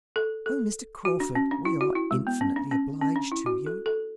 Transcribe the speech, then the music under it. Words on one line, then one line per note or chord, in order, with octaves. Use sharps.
Oh, Mr. Crawford, we are infinitely obliged to you!
A4
A4
F#4
D4
C#4
D4
E4
F#4
E4
G#3
B3
C#4
D4
C#4
C#4
D4
E4
F#4
A4
A4